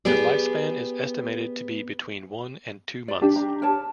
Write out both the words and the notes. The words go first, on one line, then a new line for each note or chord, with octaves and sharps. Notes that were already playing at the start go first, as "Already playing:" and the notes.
Their lifespan is estimated to be between one and two months.
B3 G4 G#4 D5
D5
D4 G4
A#5
A#4 C#5 A5